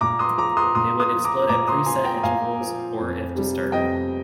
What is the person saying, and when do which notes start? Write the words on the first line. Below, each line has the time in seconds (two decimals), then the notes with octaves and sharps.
They would explode at preset intervals or if disturbed.
0.01 A#2 A#5 D6
0.19 C6 D#6
0.38 F3 A#5 D6
0.57 C6 D#6
0.75 A#2 C6 D#6
0.99 C6 D#6
1.13 F3
1.25 A#5 D6
1.49 A#2 A#5 D6
1.68 C6 D#6
1.86 F3 G#5 C6
2.05 G5 A#5
2.23 A#2 F5 G#5
2.61 F3
2.98 F2
3.35 C3 G3
3.72 F2 D#5 G5